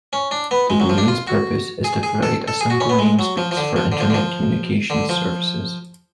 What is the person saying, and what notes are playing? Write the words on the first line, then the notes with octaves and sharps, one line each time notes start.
The domain's purpose is to provide a single name space for Internet communications services.
C#4
D4
B3
G#3
F#3
F3
D4
F4
F#4
G#4
G#4
A4
A4
G#4
F#4
C#4
B3
G#3
F#3
F3
F3
D3
F3
D3
F3
D3
F3
D3
F3